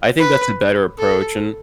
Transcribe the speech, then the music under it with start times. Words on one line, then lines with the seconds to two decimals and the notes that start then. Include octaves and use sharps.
I think that's a better approach, and
0.19 B4
0.98 A4